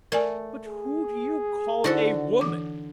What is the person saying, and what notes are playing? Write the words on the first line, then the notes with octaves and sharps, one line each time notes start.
'But who do you call a woman?
A3 A#4 D5 G#5
G#4
D3 D#4 E4 F#4 A4 C5
E3 D6